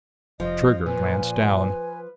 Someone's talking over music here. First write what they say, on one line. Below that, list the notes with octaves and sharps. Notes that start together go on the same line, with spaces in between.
Trigger glanced down.
F1 F3 D#5
A#2 B4 G#5